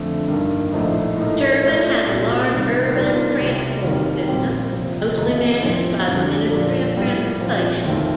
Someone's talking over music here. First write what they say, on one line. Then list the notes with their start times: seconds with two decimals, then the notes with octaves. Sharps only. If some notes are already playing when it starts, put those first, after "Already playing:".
Shirvan has a large urban transport system, mostly managed by the Ministry of Transportation.
Already playing: F2 D3 F3 A3
0.28 G2 D#3 A#3
0.72 A#1 A2 F3 A3 D#4
1.17 A2 A3 D#4 A#4
1.61 A2 A3 D4 F4 C5
2.05 C2 A#2 G3
2.50 C3 D#3 G3 A#3
2.94 D#2 D#3 G3 D4 F4
3.39 C2 C3 G3
3.83 F1 D#2 D#3 G3
4.28 A#1 A#2 G3 C4 G4
4.72 C3 F3 C4
5.17 F1 D#2 D#3 A3 D#4
5.62 A2 F3 C4
6.05 F2 D3 G3
6.51 A#2 F3 A#3 D4 A4
6.96 A2 G3 A#3
7.40 A#2 F3 C4
7.84 F1 D#2 D#3 A3 C4